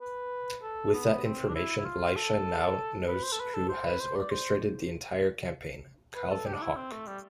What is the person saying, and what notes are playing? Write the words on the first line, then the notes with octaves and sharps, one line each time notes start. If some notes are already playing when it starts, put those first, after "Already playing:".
With that information, Leisha now knows who has orchestrated the entire campaign: Calvin Hawke.
B4
A4
B3
C4
D4
E4
E4
F4
A4
B4
C5
A4
B4
A4
C5
B4
C5
D5
C5
B4
A4
G4
D4
E4
C4
A3
G3